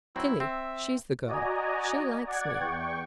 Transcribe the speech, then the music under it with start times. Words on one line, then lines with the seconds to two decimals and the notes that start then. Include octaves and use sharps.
Tillie--she's the girl--she likes me.
0.16 F#3 C4 E4
0.40 C4 E5
1.26 F#4 D5 D#5 G#5 A#5
2.27 D5 F#5 G#6
2.58 E2 G5 C#6